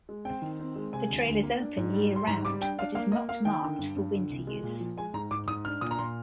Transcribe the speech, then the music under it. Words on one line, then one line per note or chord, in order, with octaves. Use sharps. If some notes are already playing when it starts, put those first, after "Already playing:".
The trail is open year-round, but is not marked for winter use.
G#3
C4 G5
D#3
C4
G#3
C3 G#5
D2
D2
A#3
D4
G#2
G3
G3
C6
G#2 A#5
G3 D6
D4 G5
D4 F5
A#3 F5
A#3 D#5
A#3 F5
D#3 G5
D3
G2
G2
D3
C2
G#3
A#2
F3
G#3 G#5
G#2 A#5
G#2 D6
G#2 D#6
D4 F6
A#2 D#6
A#5
A#2 C6